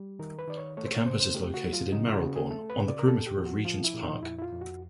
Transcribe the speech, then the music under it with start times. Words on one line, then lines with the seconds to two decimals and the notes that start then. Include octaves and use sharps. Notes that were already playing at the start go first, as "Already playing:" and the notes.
The campus is located in Marylebone, on the perimeter of Regent's Park.
Already playing: G3
0.19 D#3 A#4
0.39 B4
0.48 D#3 D5
0.57 C#5
0.77 A3 C#5
0.85 C5
0.92 C#5
1.06 C#3 C5
1.20 C5
1.34 A3 G4
1.54 F#4
1.64 F#3
1.73 F4
1.92 C#3 D#4
2.06 F4
2.21 C#3 F#4
2.36 G#4
2.50 A3 A4
2.70 B4
2.78 C#3
2.88 D5
2.99 A#4
3.08 A#2 A4
3.26 G4
3.37 F3
3.46 F#4
3.65 F3 F4
3.84 E4
3.94 A#2
4.03 D#4
4.22 F2 E4
4.38 E4
4.42 F4
4.52 F2
4.61 F#4